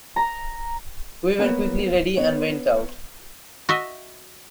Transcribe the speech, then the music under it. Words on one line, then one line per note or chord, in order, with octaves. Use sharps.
We were quickly ready and went out.
A#5
A#3 B3 B4 C#5
B3 C#5
F#4 D#5 E5